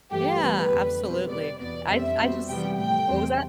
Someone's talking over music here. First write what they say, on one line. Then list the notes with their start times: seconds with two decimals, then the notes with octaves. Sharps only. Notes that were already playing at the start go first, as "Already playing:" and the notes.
Yeah. Absolutely. I th I just What was that?
0.11 G2 E3 A3 G4
0.40 E2 B2 G3 B3 B4
0.69 F2 D3 G3
1.00 B2 G3 C4
1.29 C3 G3 B3 D5
1.59 E2 B2 B3 D5
1.88 F2 D3 G3 C4 E5
2.19 B2 G3 C4
2.49 C3 E3 G3 B3 G5
2.78 A2 F3 A3 G5
3.08 E2 C3 G3 C4